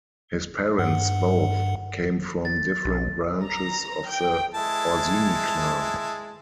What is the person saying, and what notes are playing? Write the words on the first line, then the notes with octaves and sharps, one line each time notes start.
His parents both came from different branches of the Orsini clan.
G2 F#5
A6
B1
A#5
G5
G#3 E4 A5